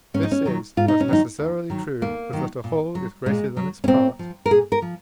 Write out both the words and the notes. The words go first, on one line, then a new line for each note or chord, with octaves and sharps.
This is as necessarily true, as that a whole is greater than its part.
G#2 C#4
D#4
C#4
D#3 F#3
G#2 F4
D#4
C#4
D#3 F#3 D#4
D#2
D#3 F#3
D#2 A#3
D#3 F#3
A#2
F#3
A#2 G#3
F#3
C#4
A#2 C4
F3
A#4
A#2 G#4
A#4
F3